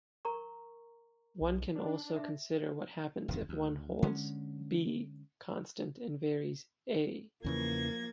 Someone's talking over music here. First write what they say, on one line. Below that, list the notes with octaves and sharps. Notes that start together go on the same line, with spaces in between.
One can also consider what happens if one holds "b" constant and varies "a".
A#4 A#5 C#6
B1
D4
E5
D1 F2 D#3
D2
D3 G#3 B3 C#4
E2 C#3 E3 F3 A#3 G#6 A#6